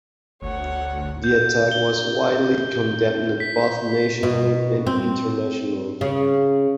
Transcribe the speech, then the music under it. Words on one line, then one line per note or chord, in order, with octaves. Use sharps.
The attack was widely condemned both nationally and internationally.
G1 D2 C#5 F#5
G6
G7
B6
B2
C4
C#3